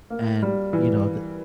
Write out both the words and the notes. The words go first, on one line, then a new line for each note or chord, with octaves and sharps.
And, you know, the
A#3
G3
E3